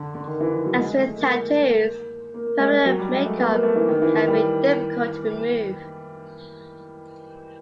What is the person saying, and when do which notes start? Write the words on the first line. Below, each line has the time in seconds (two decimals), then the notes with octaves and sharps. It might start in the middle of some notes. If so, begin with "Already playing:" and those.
As with tattoos, permanent makeup can be difficult to remove.
Already playing: D3
0.15 D3
0.27 D#3
0.41 E3
0.53 F3
0.66 F#3
0.79 G#3
0.92 A3
1.05 G#3
1.18 A#3
2.34 A#3
2.46 A#3
2.60 G#3
2.72 G#3
2.86 F#3
2.99 G3
3.11 G#3
3.25 A3
3.38 B3
3.50 A#3
3.63 A3
3.76 E3
3.89 D#3
4.02 E3
4.14 D#3
4.28 G3